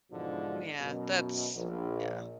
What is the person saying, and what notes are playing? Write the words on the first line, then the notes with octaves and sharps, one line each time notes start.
Yeah. That's yeah.
G#2 B2 D3 E3 F3 G#3
F#2 B2
A#1